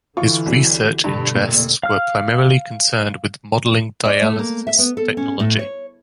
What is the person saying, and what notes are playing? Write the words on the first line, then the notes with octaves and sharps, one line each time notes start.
His research interests were primarily concerned with modeling dialysis technology.
D3 E3 F4 C#6
C2 F#3
G2 B2 D3
F1 A#2
F5 F6
D5
A3
A#3
E5
B3
A4
C#4
A2
C#5